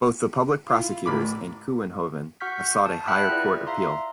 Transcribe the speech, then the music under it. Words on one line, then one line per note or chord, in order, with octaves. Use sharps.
Both the public prosecutors and Kouwenhoven have sought a higher court appeal.
E4 F4
A1 A2 B5 D6
F#4 F#5 C#6 F6 G6 B6
A5
E5 F#5 G5 B5 F6 F#6
E4 F4 G#4 B4 D5
E5 F5 A#5 C6